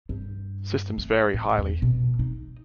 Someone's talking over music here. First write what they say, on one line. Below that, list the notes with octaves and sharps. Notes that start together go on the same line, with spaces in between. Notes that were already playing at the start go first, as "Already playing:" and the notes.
Systems vary highly.
G2
A3
A2
E2
B2
D#4